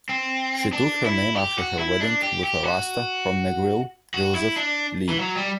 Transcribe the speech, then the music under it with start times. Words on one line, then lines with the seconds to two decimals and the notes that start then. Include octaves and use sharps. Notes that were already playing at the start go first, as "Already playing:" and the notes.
She took her name after her wedding with a rasta from Negril, Joseph Lee.
0.09 C4
0.73 D4
1.05 E4
1.36 G4
1.58 F#4
1.79 E4
2.01 D4
2.22 G4
2.44 G4
2.65 F#4
4.14 F#4
4.35 E4
4.56 D4
5.09 E3
5.20 F#3
5.36 G3